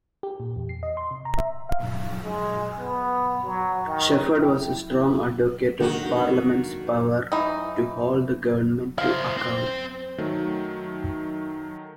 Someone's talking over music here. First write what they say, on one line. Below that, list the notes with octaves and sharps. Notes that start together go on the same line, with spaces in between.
Shepherd was a strong advocate of Parliament's power to hold the government to account.
G4
A#2
E2
C7
D#5
C6
C3
A#5
E5
F5
G#3
B3
F#3
D#3
E4 G5
D3 D#3 A#3 F#4
E3 D#4
E4 C5 F5
C4 C5
D#3 F#3 A3